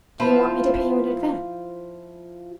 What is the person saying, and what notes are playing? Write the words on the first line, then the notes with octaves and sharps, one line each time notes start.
Do you want me to pay you in advance?
F3 E4 F4